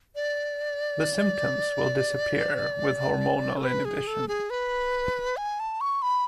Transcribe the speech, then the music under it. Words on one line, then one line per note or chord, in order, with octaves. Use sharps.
The symptoms will disappear, with hormonal inhibition.
D5
A4
B4
G#4
A4
G#4
B4
G#5
A5
C#6
B5